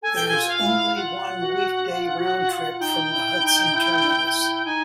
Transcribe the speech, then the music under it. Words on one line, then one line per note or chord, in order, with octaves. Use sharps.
There is only one weekday round trip from the Hudson terminus.
A4 G#5
G5
G#5
F4
F5
E4
F4 F#5
F#4
F4
F#4
F4
D#4 G5
E4
D#4
E4
E4
D#4 G#5